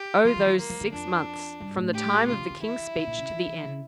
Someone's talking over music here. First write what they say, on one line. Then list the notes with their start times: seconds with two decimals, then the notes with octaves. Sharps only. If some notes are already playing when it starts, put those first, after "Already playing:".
Oh, those six months, from the time of the King's speech to the end!
Already playing: G4
0.24 F3 F4
0.36 E3
0.46 F3
0.58 F3 A#3
0.69 F3
0.81 D3
0.92 F2 D4
1.60 G2
1.76 A2
1.94 G4
2.22 A#2
2.28 C#3 F4
2.39 D3
2.50 D3
2.62 E3 E4
2.78 E3
2.95 D3
3.07 A#2
3.18 C#3
3.30 F3
3.47 E3
3.63 C#3